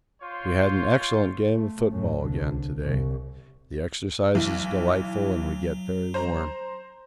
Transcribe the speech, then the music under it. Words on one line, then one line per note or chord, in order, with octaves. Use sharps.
We had an excellent game of football again to-day--the exercise is delightful and we get very warm.
F4 C5 C#5
A3
F#2 A2
C2 D3
C2
B1 E3 F#3
C5 A#5